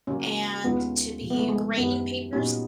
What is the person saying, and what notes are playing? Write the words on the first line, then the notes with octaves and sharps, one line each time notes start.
and to be grading papers.
C#3 F#3 A#3 C#4
D#2 D#3 G#3 B3 C#4 F4
C3 F3 A#3
B3
A3
G#3
F#2 D#3 G3 B3
A#2 G3 B3 C#4 D#4 F#4